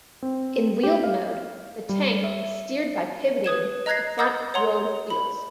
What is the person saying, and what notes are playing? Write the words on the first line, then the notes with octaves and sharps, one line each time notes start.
In wheeled mode, the tank was steered by pivoting the front road wheels.
C4
G4
F5
G3
E5
B4 D#6 G#6 E7
D#5 A#5 F#6 G#6 A#6 C7
D#5 F#5 D#6 E6 G6 A6
C#5 F#5 A#5 C6
B5